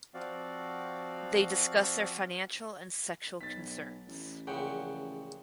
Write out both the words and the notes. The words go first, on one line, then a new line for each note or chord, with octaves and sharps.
They discuss their financial and sexual concerns.
F3 C4 F#4 D5 F5
B1 A6 B6
A1
A#1 C#3 F#5 G5